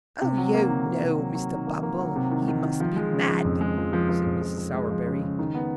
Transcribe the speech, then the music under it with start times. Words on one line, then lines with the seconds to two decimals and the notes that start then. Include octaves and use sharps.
'Oh, you know, Mr. Bumble, he must be mad,' said Mrs. Sowerberry.
0.22 C3
0.38 F#3
0.54 A#3
0.70 D#3
0.86 C3
1.02 C3
1.19 F#3
1.35 F#3
1.51 D#3
1.67 A#3
1.83 A#3
1.99 F#3
2.16 C3
2.31 D#3
2.48 D#3
2.64 D#3
2.80 F3
2.96 G#3
3.12 C#3
3.29 F3
3.45 F2
3.61 G#3
3.77 F3
3.93 F3
4.09 F3
4.26 F2
4.42 F3
4.58 F3
4.74 G#3
4.90 F3
5.06 C#3
5.22 C#3
5.39 D#3
5.55 B3